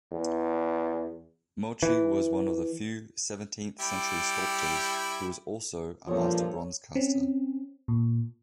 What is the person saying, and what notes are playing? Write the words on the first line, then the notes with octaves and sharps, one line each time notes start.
Mochi was one of the few seventeenth-century sculptors who was also a master bronze-caster.
E2
E3
G3 E4 G4
G2 A#2 F3 A4 C#5 D#6
C4 C#4
A#2